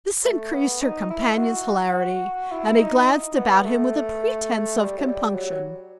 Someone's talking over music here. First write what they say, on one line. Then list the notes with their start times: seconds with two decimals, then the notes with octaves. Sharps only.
This increased her companion's hilarity and he glanced about him with a pretense of compunction.
0.25 A3
0.53 B3
0.82 D#4
1.10 E4
1.38 F#4
2.51 E4
2.80 D#4
3.36 B3
3.65 A3
4.79 G3
4.98 F#3
5.07 G3
5.35 F#3